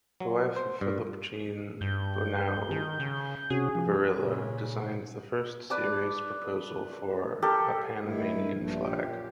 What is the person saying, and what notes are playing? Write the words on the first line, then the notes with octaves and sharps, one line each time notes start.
The wife of Philippe-Jean Bunau-Varilla designed the first serious proposal for a Panamanian flag.
F#3
C5
G2
G2 G6
D#3
C#3
C3 C#4 F#4 G#4
F3
A#2 C#3
B4 D5 A5
G4 A4 A#4
A2 D#3 E4
G2
A#1 G2 A3
F#2 A#2 G4